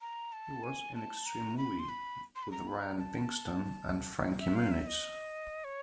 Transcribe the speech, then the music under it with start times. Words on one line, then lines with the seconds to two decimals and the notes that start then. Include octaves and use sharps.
He was in "Extreme Movie" with Ryan Pinkston and Frankie Muniz.
0.01 A#5
0.33 A5
0.63 G#5
0.95 A5
1.26 A#5
1.58 B5
1.79 C6
1.89 B5
2.36 C6
2.43 B5
2.52 A#5
2.68 B5
2.82 A#5
2.98 A5
4.40 E5
4.55 F5
4.71 E5
4.87 D#5
5.64 C#5